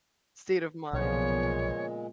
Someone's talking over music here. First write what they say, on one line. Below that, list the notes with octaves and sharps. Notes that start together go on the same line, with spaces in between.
state of mind.
B1 A#2 C#3 F3 G#3 B3 C#5